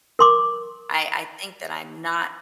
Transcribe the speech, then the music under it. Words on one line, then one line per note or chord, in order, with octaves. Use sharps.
I I think that I'm not
A#4 C6 D6